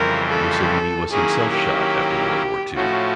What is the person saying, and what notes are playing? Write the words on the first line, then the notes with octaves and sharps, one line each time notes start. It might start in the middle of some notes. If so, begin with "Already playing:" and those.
Mussolini was himself shot after World War two.
Already playing: F2 C#3 E3 G3 C4 A#4
A4
D#3 F#3 A#3 C#4 E4 G#4
G4
A2 F3 A3 C#4 F#4